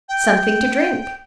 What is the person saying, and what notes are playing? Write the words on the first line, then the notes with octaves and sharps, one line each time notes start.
"Something to drink."
G5